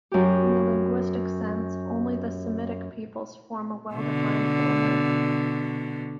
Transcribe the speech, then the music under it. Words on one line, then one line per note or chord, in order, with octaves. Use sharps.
In a linguistic sense, only the Semitic peoples form a well-defined family.
F#2 G4
B2 D3